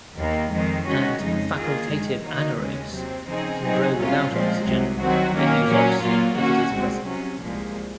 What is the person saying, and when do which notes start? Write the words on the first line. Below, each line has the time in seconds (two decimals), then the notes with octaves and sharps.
And facultative anaerobes can grow without oxygen but use oxygen if it is present.
0.18 D#2 D#3 A#3
0.52 F2 D#3 G#3 C4
0.87 D#3 G#3 C#4 F#4
1.21 F2 C#3 G#3 D#4
1.56 D#3 A#3 F4 G#4
1.90 F#2 D#3 G#3
2.24 D#3 A#3 D#4 F#4
2.59 D#2 C#3 G#3 C#4
2.93 C3 F#3 C4
3.28 C#3 F3 C4 D#4 G#4
3.62 C3 F#3 C4 D#4 G#4
3.97 C2 C3 F#3 C#4 F4
4.31 A#2 F3 G#3 C4
4.65 C2 C3 F#3
4.99 D#3 F#3 C4 F#4
5.34 D#3 A#3 C#4
5.68 A#2 F#3 C#4
6.03 A#2 F#3 A#3 F4
6.38 D#3 A#3 C#4 F#4
6.71 C2 A#2 G#3 C4
7.06 C3 F#3 C#4
7.41 C2 A#2 F3 G#3